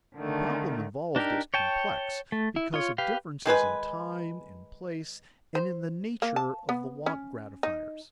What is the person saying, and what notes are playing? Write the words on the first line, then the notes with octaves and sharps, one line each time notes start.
The problem involved is complex because of differences in time, in place, and in the nature of the want-gratifiers.
D3 D#3 A3
D4 D#4 G4 A#4
C#5 G5 A5
A3
E4
F4 C#5
G4 B4 F5
D#3 G#3 B4 G#5
C5
A#3
A5
B3
C#4
D#4